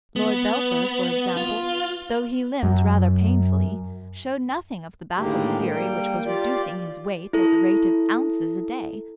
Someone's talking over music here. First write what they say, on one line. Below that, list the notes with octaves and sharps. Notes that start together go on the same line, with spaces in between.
Lord Belpher, for example, though he limped rather painfully, showed nothing of the baffled fury which was reducing his weight at the rate of ounces a day.
B3
F4
F#2
A2 D3 D#3 G#3 A#3 G4
G3 A#3 G5
F4 G4 D5
E4 A4